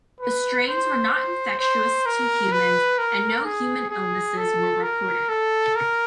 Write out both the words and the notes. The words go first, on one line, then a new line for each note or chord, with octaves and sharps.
The strains were not infectious to humans, and no human illnesses were reported.
B4
C5
C5
C5
A#4
B4
A#4
G#4
G#4
A4
A#4
A4
A#4